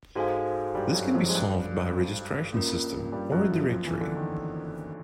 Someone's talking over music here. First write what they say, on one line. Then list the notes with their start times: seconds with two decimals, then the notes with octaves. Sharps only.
This can be solved by a registration system or a 'directory'.
0.15 G#2 G#3 F#4 A4 C5 F5 G#5
0.75 G2 G3
0.95 F#2 F#3
1.15 F2 F3
1.29 G#3
1.34 G2 G3
2.53 A#3 C#4 F4 A#4
3.12 G2 G3
3.32 F#2 F#3
3.51 F2 F3
3.72 F2 F3
3.86 E2 E3
4.01 D3
4.16 D#3